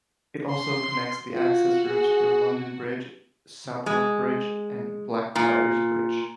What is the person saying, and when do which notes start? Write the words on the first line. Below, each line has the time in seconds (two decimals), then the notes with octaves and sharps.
It also connects the access routes for London Bridge, Southwark Bridge and Blackfriars Bridge.
0.50 C6
1.33 F4 F#4
1.87 G#4
3.86 G#3
5.36 A#2